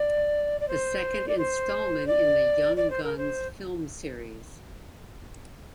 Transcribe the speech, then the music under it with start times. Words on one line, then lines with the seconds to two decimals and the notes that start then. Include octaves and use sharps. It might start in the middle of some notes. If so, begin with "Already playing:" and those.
The second installment in the "Young Guns film series".
Already playing: D5
0.60 D5
0.68 C5
1.28 D5
1.38 C5
2.07 D5
2.76 D5
2.90 C5
3.03 A#4
3.17 C5